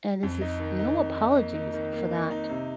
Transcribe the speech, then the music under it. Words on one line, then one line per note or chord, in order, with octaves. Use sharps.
And this is no apologies for that.
F2
D#4
D#3
D#4
F2
D#4
A#3
D#4
D#3
A#3
D#4
D#4
C3